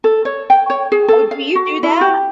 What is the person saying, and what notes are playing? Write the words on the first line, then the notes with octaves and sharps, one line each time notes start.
Oh, do you do that?
A4
C#5
G5
C#5
G#4
A4
F5
F#4
E4
G4